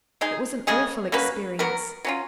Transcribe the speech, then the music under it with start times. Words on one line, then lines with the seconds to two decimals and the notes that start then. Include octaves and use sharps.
It was an awful experience.
0.21 G#3 D#4 G#4
0.67 C#3 G#3 C#4 G#4
1.12 A#3 C#4 F#4 B4
1.59 F#3 B3 F#4 A#4
2.04 F#3 C#4 F4